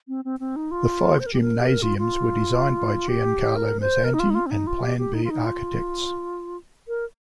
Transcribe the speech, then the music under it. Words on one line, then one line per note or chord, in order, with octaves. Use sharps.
The five gymnasiums were designed by Giancarlo Mazzanti and Plan B Architects.
C4
C4
C4
D#4
F4
C5
A#4
G4
A#4
G4
A#4
F4
F4
G4
A#4
C5
A#4
D#4
F4
D#4
F4
C4
D#4
F4
G4
G4
D#4
F4
D#4
F4
A#4